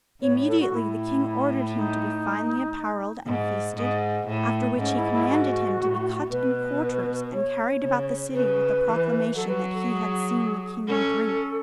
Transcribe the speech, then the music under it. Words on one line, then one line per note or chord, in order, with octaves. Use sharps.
Immediately the king ordered him to be finely apparelled and feasted, after which he commanded him to be cut in quarters, and carried about the city with a proclamation that he had seen the king drink.
A2 C#5
A4
F#4
A2 E4
D#4
G#2
G#2
A2
G#2 C#4
E4
E4
F#4
A2
B2 B4
C#5
C#3
C#3 B4
E3
F#3 A4
B4
A4
G#4
C#4 A4